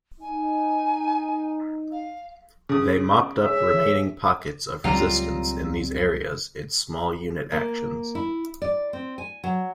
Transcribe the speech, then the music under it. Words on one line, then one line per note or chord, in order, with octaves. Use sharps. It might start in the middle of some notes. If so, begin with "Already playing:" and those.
They mopped up remaining pockets of resistance in these areas in small unit actions.
D#4 G#5
F5
C#3 D#6
G#4 C#5 E5
C#2 A2 F#3 G3 C4 F4 G5 A#5
A#3
E4
D5
C4
G#5
F#3